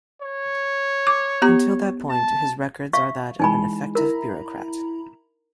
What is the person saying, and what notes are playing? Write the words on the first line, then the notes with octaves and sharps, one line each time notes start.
Until that point, his records are that of an effective bureaucrat.
C#5
D6
B3 G4 A#5
A5
E5 F5 C#6
E3 G#3 D#4 G#5 B5
E4 A#4 A#5 B5